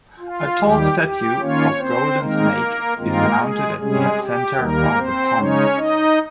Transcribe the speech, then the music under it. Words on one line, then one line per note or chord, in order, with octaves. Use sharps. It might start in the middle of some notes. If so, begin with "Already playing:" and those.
A tall statue of golden snake is mounted at the center of the pond.
F4
D#2 D#3 G3 G4
G4
D#3 A#3 C#4 F4 C#5
C4 C5
D#3 G#3 A#3 C4 D#4 A#4
G2 D#3 G#3 A#3 C4 F4 A#4
G#3 G#4
C3 G3 G#3 C#4 G#4
G4
D#2 D#3 G3 A#3 A#4
C4 C5
C#3 G#3 C#4 D#4 C#5
D#4 D#5